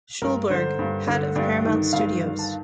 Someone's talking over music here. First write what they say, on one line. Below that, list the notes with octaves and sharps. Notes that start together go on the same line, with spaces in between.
Schulberg, head of Paramount Studios.
G2 A#4
D3 C5
G2
D3
G2 D5
D#3
G2 F5
D#3
A5